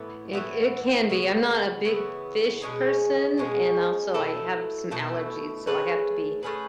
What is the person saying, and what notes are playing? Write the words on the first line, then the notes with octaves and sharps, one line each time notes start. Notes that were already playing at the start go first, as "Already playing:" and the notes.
It c it can be. I'm not a big fish person, and also I have some allergies, so I have to be
Already playing: A2 E3 B3
A2 E3 B3
C#3 E3 B3
C#3 E3 B3
B2 G#3 C#4 G#4
B2 G#3 C#4 G#4
B2 A3 E4 A4
B2 A3 E4 A4
A3 C#4 G#4 B4
A3 C#4 G#4 B4